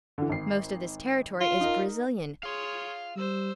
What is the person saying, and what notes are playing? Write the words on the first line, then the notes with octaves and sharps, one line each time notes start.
Most of this territory is Brazilian.
D3 E3
G#1 C7
F4
D#4 A#4
G#4 C#5 F5 C6
G3 C5 E6